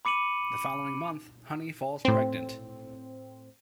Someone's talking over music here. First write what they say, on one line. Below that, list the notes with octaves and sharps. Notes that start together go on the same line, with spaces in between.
The following month, Honey falls pregnant.
B5 D6 C#7 D#7 F#7
A2 C4